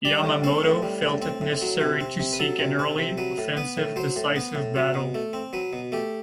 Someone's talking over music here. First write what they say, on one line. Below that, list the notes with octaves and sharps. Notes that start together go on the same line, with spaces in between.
Yamamoto felt it necessary to seek an early, offensive decisive battle.
G3 D5
A2
C4 C5
A2
G3
A2
C4
A2
F#3
C3
C4
C3
B4
F#3 A4
C3
C4
C3
F#3 B4
A2
B3 B4
A2
F#3 C5
A2
B3
A2
F#3
B2
A3
C4
F#3 B4
B2
A3 G4